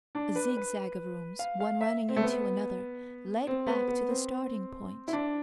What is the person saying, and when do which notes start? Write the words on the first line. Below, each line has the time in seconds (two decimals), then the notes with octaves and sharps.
A zigzag of rooms, one running into another, led back to the starting-point.
0.15 D4
0.36 B4
0.57 B4
1.39 F5
1.60 F5
1.81 E5
2.09 C4
2.16 A3
2.23 B3
3.47 C4
3.67 B3
3.88 B3
4.09 C4
5.08 E4
5.13 D4